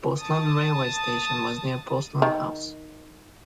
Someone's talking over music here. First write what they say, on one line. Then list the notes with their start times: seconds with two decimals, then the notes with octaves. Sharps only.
Postland railway station was near Postland House.
0.19 A5 D#6
2.22 D#3